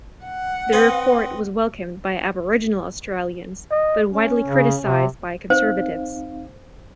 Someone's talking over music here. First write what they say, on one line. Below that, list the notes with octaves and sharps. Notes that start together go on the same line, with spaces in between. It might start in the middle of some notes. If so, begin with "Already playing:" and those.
The report was welcomed by Aboriginal Australians but widely criticised by conservatives.
F#5
C4 B4 D#5
D#5
C#4
C#3
C3
C4 D#4 C5 F5